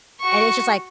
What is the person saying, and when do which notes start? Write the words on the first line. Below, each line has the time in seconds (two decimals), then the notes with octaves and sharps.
And it's just, like,
0.21 F#4 C#6